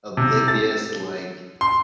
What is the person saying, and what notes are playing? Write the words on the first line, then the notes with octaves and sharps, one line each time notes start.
oblivious, like
C3
A6
C6